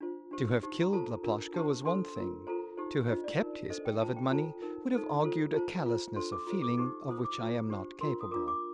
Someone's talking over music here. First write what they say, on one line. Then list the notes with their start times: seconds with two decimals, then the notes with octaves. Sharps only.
To have killed Laploshka was one thing; to have kept his beloved money would have argued a callousness of feeling of which I am not capable.
0.01 D4 F4 C5
0.31 D4 G4 C5
0.63 D#4 G4 C5
0.82 A#5
0.93 F4 A4 C5 A5
1.24 D4 F4 A#4
1.54 D4 G4 C5 A5
1.85 D4 A4 C5 C6
2.16 F4 A#4
2.47 F4 A4 C5 A#5
2.77 D#4 G4 C5
3.08 D4 F4 C5 D#5
3.24 D5
3.39 D#4 A#4
3.70 D4 A4 C5 D#5
3.85 G5
4.01 F4 C5 A5
4.16 G5
4.31 F4 A4 C5 A5
4.62 D#4 A#4
4.94 D#4 A4 C5
5.24 F4 A4 C5
5.54 F4 C5 A5
5.86 F4 C5
6.16 D4 A4 C5 C6
6.32 D6
6.47 F4 A4 C5
6.62 D6
6.77 D#4 G4 C5 D6
7.08 F4 C5 D#6
7.25 D6
7.39 F4 C5
7.70 D4 G4 C5
8.01 F4 A#4 C6
8.21 D#6
8.31 D4 F4 A#4 D6
8.48 D6